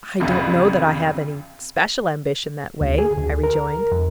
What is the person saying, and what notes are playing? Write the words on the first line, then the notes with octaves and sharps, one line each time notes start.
'I don't know that I have any special ambition that way,' I rejoined.
G1 C2 F2 C#3
D2
G#4
D2
A#4
F2